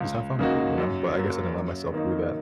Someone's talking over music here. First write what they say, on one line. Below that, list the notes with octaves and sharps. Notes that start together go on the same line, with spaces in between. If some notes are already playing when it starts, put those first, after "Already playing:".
"Just have fun with it," you know, but I guess I didn't let myself do that.
C#2
C#3 A#3 D#4 F#4
F#2
F#3 A#3
F#2
D#3 A#3 D#4